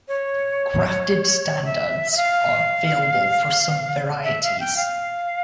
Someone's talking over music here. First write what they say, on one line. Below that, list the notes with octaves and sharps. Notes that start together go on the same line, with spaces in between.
Grafted standards are available for some varieties.
C#5
E5
E5
F5
E5
F5
G5
F5